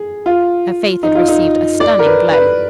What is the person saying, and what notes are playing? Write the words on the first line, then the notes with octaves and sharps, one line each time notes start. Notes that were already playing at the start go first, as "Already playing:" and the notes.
Her faith had received a stunning blow.
Already playing: G#4
F4
D#4
F4
D#4
D5
A#4
B4
B4